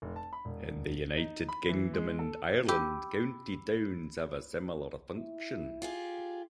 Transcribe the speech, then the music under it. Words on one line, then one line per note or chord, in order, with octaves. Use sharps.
In the United Kingdom and Ireland, county towns have a similar function.
F1
A5
B5
E1
D#4
B5
E3
G#3
A4
G4 B5 E6
E4
F4 G4 G#4